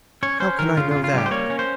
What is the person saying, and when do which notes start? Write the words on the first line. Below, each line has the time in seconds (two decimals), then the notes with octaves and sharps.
"How can I know that?"
0.23 C#4 C#5
0.40 C#4 C5
0.59 D#3 A#4
0.77 C#3 F4
0.91 F4
0.96 C#3
1.04 F4
1.14 G3 G4
1.26 C5
1.31 A#3 C#5
1.50 C#4
1.59 C5